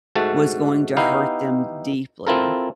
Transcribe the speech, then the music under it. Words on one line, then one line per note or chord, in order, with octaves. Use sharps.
was going to hurt them deeply.
G#2 A3 F#4 A5
B3 D#4 E4 G4 F5
C4 E4 F4 A4 A#4